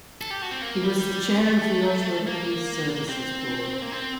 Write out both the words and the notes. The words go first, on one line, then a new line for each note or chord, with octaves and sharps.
He was the chair of the Ottawa Police Services Board.
A4
G4
F#4
C4
A#3
G3
A3
A#3
C4
A#3
C4